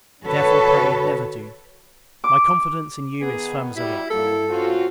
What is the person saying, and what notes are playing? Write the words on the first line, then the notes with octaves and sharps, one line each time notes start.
Therefore, pray, never do; My confidence in you is firm as a rock.
D3 F#4 A4 B4 C#5
D6
D#3 B3 G#4
F#3 G3 E4
G2 F#3 G3 A#3 E4 A4
C4 C#4 F4 F#4